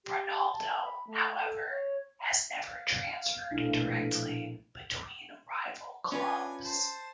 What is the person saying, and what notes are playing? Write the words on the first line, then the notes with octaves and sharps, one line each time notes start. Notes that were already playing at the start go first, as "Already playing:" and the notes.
Ronaldo, however, has never transferred directly between rival clubs.
G4
A5
B5
A3
A4
C#5
F5
A#1 B2 A3 D4 E4
C#4 D4 F4 B4 G#5
C5 A5